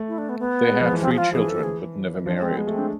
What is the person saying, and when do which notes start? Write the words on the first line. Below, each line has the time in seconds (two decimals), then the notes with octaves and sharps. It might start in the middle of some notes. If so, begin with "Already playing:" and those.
They had three children, but never married.
Already playing: A3
0.08 E4
0.18 D4
0.29 B3
0.39 B3
0.71 G#3
0.80 F3
0.92 E3
1.02 F3 C4
1.11 G#4
1.18 F4
1.33 E3 G#4
1.49 E3 A4
1.63 G#4
2.26 F3 D4
2.41 G#3 C4
2.57 G#3 B3
2.67 A3
2.72 C4
2.77 D4